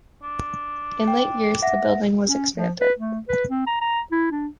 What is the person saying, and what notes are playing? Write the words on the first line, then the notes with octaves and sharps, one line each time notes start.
In later years, the building was expanded.
D4
G5
E5 F#5 A#6
C#4
F3
B4
A3
B4
C4
A#5
A#5
E4
D4